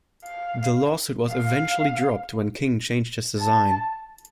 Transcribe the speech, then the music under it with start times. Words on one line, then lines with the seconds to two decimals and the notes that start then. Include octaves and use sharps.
The lawsuit was eventually dropped when King changed his design.
0.25 F5
1.29 F5
3.39 A5